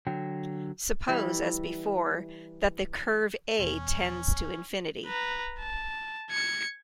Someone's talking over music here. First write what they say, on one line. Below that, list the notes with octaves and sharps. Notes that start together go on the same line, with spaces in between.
Suppose, as before, that the curve "A" tends to infinity.
D3 F#3 G5
E3 G3
E1 E2 C#4
B4 A#5
A5
G#6 C#7